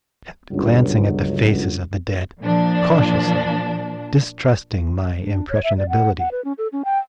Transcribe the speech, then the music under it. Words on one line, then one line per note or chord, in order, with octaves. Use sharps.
I kept glancing at the faces of the dead cautiously, distrusting my impressionability.
G1 C#2 G2 F#3
A#2 F3 D4
D4
C#5
E5
D5
F#5
F#5
B4
C#4
A4
C#4
G5